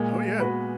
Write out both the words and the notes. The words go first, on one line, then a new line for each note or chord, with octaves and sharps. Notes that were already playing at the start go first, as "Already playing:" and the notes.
Oh, yeah.
Already playing: A#2 G#3
B3 F#4 B4